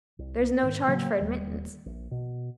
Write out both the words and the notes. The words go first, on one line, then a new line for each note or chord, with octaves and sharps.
There's no charge for admittance.
C2
G#2 D#3
A2 C#3 F#3 A#3
D1 D#2 G3
A#1
B2